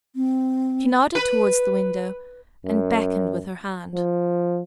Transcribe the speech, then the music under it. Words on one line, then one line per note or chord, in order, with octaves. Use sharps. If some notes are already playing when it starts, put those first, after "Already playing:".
She nodded towards the window, and beckoned with her hand.
C4
B4
F#2
F3